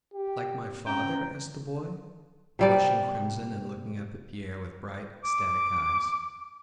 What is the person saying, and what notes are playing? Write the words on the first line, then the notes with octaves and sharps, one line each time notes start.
"Like my father?" asked the boy, flushing crimson and looking up at Pierre with bright, ecstatic eyes.
G4
C4 C#4 G5 A#5
C3 G3 D5
D6